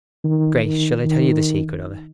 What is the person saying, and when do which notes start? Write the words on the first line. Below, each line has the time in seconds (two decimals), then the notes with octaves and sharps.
Grace, shall I tell you the secret of it?
0.24 D#3
0.64 D#3
1.05 D#3